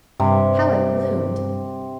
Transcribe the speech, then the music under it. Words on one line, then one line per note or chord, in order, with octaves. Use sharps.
How it bloomed!
G2 C3